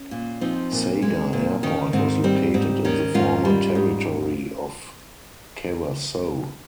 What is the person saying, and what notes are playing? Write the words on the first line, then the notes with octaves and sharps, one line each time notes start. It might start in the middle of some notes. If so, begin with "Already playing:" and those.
Saga Airport was located in the former territory of Kawasoe.
Already playing: C#4
A#2
F3 C4 D#4
A#2
G#3
A#2
D#3 C#4
G#2 C4
G3 C4
G#2 C4
D#3 C#4
G#2 C#4 F4
G3
G#2